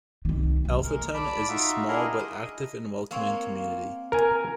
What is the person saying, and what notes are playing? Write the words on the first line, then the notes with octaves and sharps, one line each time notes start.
Alpheton is a small but active and welcoming community.
C2 D#3
B1
G#3 A#3 A#4
D5 A5 B5 D6
D#4 F4 F#4 E5
D4 E4 G#4 A#4 D#5
D#5
A#3 C4 C#5
A#4 G#5